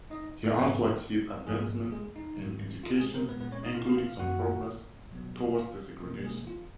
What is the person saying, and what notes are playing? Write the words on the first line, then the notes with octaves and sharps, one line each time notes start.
He also achieved advancements in education, including some progress toward desegregation.
D#4 D#5
G#2 F3 B3 B4
G#2 F3 G#3 A#3 G#4
G#3 G#4
D#4
G#2 D#3 G#3
F4
G#3 G#4
A#3 A#4
A#2 G#3 B3 B4
B3 B4
C#4 C#5
D#4 D#5
F4 F5
F4 F5
F#2 D#3 A#3 F#4 F#5
B2 F#3 B3
F4 F5
B2 A#3
G#3 G#4
F4